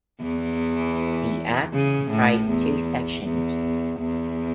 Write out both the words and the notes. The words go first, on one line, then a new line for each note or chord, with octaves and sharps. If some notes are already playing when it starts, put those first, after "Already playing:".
The Act comprised two sections.
E2 E3
C#3
A2
E2
E2
E2